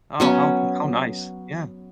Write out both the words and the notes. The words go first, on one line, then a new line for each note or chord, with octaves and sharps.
Oh, how how nice. Yeah.
F#3 B3 C#4